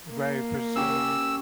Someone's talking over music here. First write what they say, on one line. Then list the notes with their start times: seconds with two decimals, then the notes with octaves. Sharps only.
Right, for sure.
0.10 A#3
0.76 C#4 G4 E6